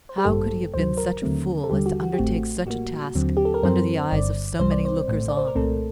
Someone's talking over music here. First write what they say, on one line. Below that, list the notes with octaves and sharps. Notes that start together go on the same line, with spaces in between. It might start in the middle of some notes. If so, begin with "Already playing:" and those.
How could he have been such a fool as to undertake such a task under the eyes of so many lookers-on?
C5
G4
A1 G2 D#3 G3 A#3 A4
D2 C3 D#3 F#3 C5
A#4
D#2 D3 F#3 A3 C4
A4
D#2 D3 G3 G4
F#4
F#4
G4
A1 A2 A3 C4 F#4
A2 G3 A#3 F#4
D#2 D3 F#3 C4
G4
A4
A#4
F#2 F#3 C4 C5
G1 G2 D3 D5
C2 C3 G3 C4 C5
D5
C5
A#1 A2 A3
D5
C5
A#4
C2 A#2 A3 C4 A4